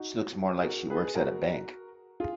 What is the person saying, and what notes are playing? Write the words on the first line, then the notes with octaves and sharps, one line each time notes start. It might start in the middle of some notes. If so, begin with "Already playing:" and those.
She looks more like she works at a bank.
Already playing: D#4 F#4
G#4
F#4 A#4
G#4 B4
G#4
F#4 A#4
F4 G#4